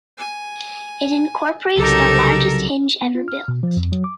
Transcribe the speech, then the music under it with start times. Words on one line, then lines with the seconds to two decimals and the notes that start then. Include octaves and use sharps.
It incorporates the largest hinge ever built.
0.17 G#5
1.77 C2 C#3 F#3 D#4 G4 A4 A#4
3.02 B3
3.15 F4
3.28 F6
3.48 B2
3.63 F3
3.77 F2
3.92 F#3
4.04 D6